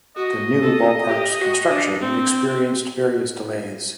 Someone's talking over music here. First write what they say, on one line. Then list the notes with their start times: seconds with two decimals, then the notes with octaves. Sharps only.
The new ballpark's construction experienced various delays.
0.16 F#4 D#5
0.62 A4
1.08 G4
1.39 F#4
1.70 D4
2.01 C4